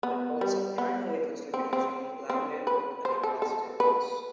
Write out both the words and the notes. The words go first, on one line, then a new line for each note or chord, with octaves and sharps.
Their boats are primarily constructed using laminated wood and epoxy techniques.
B3
G3
B3
C4
C4
C4
B4
C5
A4
A4
B4